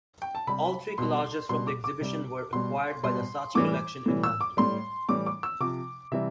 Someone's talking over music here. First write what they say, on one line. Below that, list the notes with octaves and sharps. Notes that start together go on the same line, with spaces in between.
All three collages from the exhibition were acquired by the Saatchi Collection in London.
G5
A5
C3 G3 B5
B2 G3 C6
B2 G3 C6
D6
D6
C3 G3
B2 G3 C6
B2 G3 C6
A2 E3 G3 D6
A2 E3 G3
E6
D6
A2 G3 C6
A2 E3 G3 D6
D6
E6
C3 F3 D6
C3 E3 G3 E5